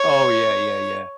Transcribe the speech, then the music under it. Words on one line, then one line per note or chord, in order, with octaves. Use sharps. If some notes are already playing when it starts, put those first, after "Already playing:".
Oh, yeah, yeah, yeah.
Already playing: C#5